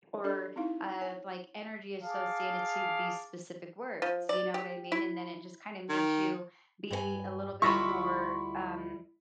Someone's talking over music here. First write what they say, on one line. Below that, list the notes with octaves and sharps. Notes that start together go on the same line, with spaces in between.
or, uh, like, energy associated to these specific words, you know what I mean? And then it just kinda makes you be a little bit more, um,
D4 G4 A4 D5 D#5
C4 D#4 E4 F5
C#5 G#5
G#4 F5 A5 D6
F3
D5
G4
E4
D#3
G2 C5 G#5
D2 G3 E4 F4 D#5 E5 B5 C#6